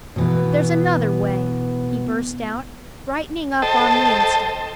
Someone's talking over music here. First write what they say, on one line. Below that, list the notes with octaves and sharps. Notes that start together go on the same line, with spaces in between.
"There's another way!" he burst out, brightening up on the instant.
B2 E3 B3
A4 C5 D#5 G5 A5